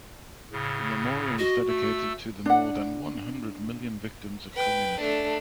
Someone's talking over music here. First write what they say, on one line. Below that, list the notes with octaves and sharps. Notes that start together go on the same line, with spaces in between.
The memorial is dedicated "to the more than one hundred million victims of communism".
A2 C#3
F#4 D#5
A3 E6
D4 F#5
B4 G5
A3 D4